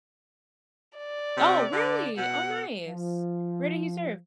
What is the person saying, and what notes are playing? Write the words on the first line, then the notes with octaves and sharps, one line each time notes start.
Oh, really? Oh, nice. Where did he serve?
D5
C3
D3
B2 F#5
F3